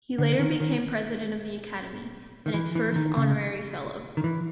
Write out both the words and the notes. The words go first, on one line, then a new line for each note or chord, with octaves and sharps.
He later became President of the academy, and its first honorary fellow.
D3
D#3
D#3
D#3
E3
E3
D#3
C#3
D#3
E3